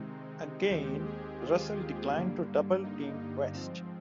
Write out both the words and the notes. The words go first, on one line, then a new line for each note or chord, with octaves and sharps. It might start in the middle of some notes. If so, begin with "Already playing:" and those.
Again, Russell declined to double-team West.
Already playing: C3 D#3 G#3 C4 D#4
D#2 D#3 G#3 C4 G4
G#4
F4
G2 D3 G3 A#3
D#4
D#4
G#2 F3 C4